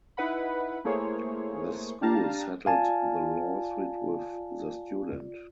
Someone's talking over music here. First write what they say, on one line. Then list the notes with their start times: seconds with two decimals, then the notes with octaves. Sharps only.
The school settled the lawsuit with the student.
0.17 D#4 E4 B4 F#5 B5
0.85 A3 A#3 E4 G#4 C5 C#5
2.01 D4 G4 F5 A5 A#5
2.66 F4 D5 F5 G#5 A5